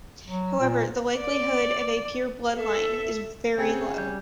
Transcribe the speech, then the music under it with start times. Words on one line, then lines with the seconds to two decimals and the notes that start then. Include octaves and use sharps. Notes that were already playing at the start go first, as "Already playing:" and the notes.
However, the likelihood of a pure bloodline is very low.
0.25 F#3
0.60 A#2
1.18 D5
2.57 A4 E5
3.58 C#3 C4 G5 G#5 G#6
3.98 G3 G6